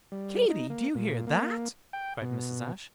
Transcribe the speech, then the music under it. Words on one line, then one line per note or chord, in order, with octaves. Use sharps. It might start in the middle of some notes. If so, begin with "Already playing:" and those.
"Katy, do you hear that?" cried Mrs. Ashe.
G3
D#4
A#3
A#2
A#3
G5
B2